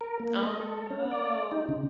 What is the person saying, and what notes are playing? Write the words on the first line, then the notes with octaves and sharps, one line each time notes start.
Oh, no.
A#4
A#3
D#5
A4
C#4
D5
D#4
C#3